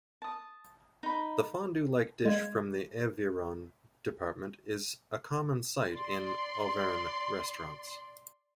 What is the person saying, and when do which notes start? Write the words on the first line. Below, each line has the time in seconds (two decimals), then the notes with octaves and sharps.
This fondue-like dish from the Aveyron department is a common sight in Auvergne restaurants.
0.22 A5 D#6
1.03 D#4 B5
2.25 G#3 F5 G#6
5.90 D5 C6